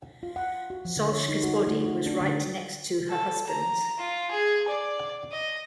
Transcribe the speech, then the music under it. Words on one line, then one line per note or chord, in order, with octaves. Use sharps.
Solska's body was right next to her husband's.
F4
F#5
F#4
F3
D3
C#5
D#4
F#4
A3
F#4
D4
D3
A4
A#5
F4
G#4
D5
D#5